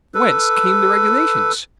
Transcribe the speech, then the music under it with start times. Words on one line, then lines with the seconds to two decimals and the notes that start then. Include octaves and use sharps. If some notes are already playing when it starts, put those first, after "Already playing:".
Whence came the regulations?
0.15 A4 B4